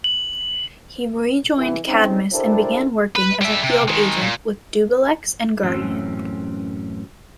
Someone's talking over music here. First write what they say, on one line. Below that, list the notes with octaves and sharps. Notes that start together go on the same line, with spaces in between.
He rejoined Cadmus and began working as a field agent with Dubbilex and Guardian.
F#7
C2 E3
G#3 C4 C#4 D#4
D4 E4 G4 A4 A#4 C5
B4
G3 E5
C3
D#3 G#3
A#2
F#2 A2 E3 C4 C#4